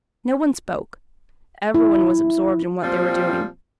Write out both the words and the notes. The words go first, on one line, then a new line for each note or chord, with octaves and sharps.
No one spoke. Every one was absorbed in what they were doing.
E4
A#2 F3 G3 C4